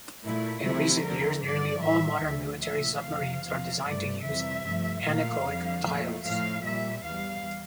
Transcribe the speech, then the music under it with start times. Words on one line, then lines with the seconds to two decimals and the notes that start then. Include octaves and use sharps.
In recent years, nearly all modern military submarines are designed to use anechoic tiles.
0.23 A#2 A3 E4
0.63 D2 C3 F3 A3 E4
1.04 E2 D3 A3 A#4
1.44 G2 D3 G3 D5
1.84 A2 G3 E5
2.23 D2 D3 F3 A3
2.64 A#2 F3 A3 E5
3.04 F2 C3 F3 F5
3.44 E2 C3 F3
3.84 G2 F3 A3 D5
4.24 F2 C3 E3 G3 E5
4.64 G2 F3 A3
5.04 A#2 A3 F5
5.44 F2 D3 G3
5.84 A#2 A3
6.25 A2 F3 A3 F5
6.64 A#2 G3 E5
7.04 E2 E3 G3 F5